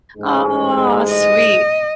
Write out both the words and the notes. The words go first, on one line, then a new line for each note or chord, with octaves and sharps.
aw, sweet.
A1 G#2 G#3
D#5